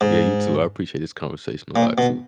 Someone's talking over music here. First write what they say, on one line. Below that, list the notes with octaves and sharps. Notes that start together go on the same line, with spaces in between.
Yeah, you too. I appreciate this conversation a lot, too.
G#2
A#2
B2